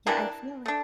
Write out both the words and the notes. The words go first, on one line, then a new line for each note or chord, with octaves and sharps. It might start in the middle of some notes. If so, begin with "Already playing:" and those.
Yeah, I feel like
E3 G3 A#3 D4
A3 D4